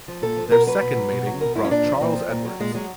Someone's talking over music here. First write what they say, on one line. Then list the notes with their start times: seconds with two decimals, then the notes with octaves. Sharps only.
Their second mating brought Charles Edwards.
0.08 F3
0.22 A#2 A4
0.37 F3
0.51 B2 A#4
0.67 F#3 B4
0.82 B2
0.97 F#3
1.12 B2
1.26 F#3
1.41 B2 A#4
1.56 F#3 E4
1.64 C#4
1.71 A#2 D4
1.86 F3
2.00 A#2 C4
2.15 F3
2.30 A#2
2.45 F#3
2.60 A#2 G#3
2.75 F#3 G#3